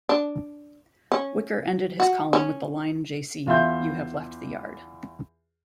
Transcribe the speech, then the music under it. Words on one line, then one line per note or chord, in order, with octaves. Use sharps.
Whicker ended his column with the line Jaycee, you have left the yard.
D4
C#4
F#4
C#4
E2 F4 E5 C6 G6